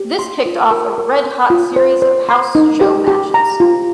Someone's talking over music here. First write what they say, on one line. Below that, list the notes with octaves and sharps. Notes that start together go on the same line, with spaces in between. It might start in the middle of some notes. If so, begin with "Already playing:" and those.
This kicked off a red hot series of house show matches.
Already playing: G4
C6
F4
A#4
A#4
C6
F4
C5
C5
C6
D#4
G4
G4
A#5
F4